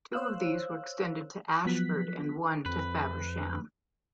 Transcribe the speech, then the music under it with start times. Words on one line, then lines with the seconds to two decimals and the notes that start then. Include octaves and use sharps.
Two of these were extended to Ashford and one to Faversham.
0.13 C5 C#5 F5 E6 F#6
1.65 F3 F#3 B3 F#6 B6
2.66 F2 B4